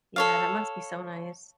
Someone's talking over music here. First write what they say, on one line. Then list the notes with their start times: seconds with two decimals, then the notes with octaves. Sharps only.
Yeah, that must be so nice.
0.16 A4 C#5 F5